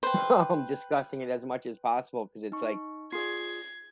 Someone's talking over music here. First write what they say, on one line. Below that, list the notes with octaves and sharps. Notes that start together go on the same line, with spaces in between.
um, discussing it as much as possible 'cause it's, like
B4 C5 G5
D#4 C#6
F4 G#4 D5 G#6 C7